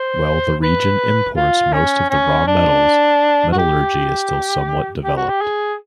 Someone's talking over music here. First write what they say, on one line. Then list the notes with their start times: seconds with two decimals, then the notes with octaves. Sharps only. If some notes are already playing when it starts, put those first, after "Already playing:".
While the region imports most of the raw metals, metallurgy is still somewhat developed.
Already playing: C5
0.63 B4
1.36 F4
1.73 C#4
2.10 C#4
2.47 D4
3.52 F#4
3.58 G4
5.05 G4
5.17 F#4
5.29 G4
5.41 G#4